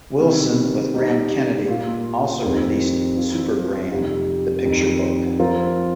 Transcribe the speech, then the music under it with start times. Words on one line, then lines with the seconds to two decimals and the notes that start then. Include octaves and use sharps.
Wilson, with Graham Kennedy, also released "Super Gran: The Picture Book".
0.20 C3 D#3 G3
0.94 G3 D#4 G4
1.68 A#2 A#3 F4
2.43 F2 D#3 C4 G4 A#4
3.17 G3 C4 F4
3.91 F2 C3 G3 D#4 G4
4.65 F2 D#3 G3 D#4
5.40 F3 C4 F4 A#4